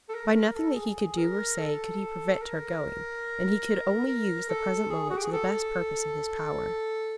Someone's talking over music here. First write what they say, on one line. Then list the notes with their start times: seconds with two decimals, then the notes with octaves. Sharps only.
By nothing that he could do or say could he prevent her going, and he could only use the present moment to the best purpose in his power.
0.09 A4
0.14 A#4
0.35 A#4
0.55 A4
0.75 G#4
1.18 A#4
1.58 A4
2.42 A#4
4.08 A#4
4.49 A4
4.90 G#4
5.10 F#4
5.17 G4
5.23 G#4
5.32 A4